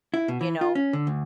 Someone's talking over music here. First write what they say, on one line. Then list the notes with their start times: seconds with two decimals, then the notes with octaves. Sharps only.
You know?
0.14 E4
0.28 B2
0.41 E3
0.61 F4
0.75 C#4
0.93 D3
1.07 D2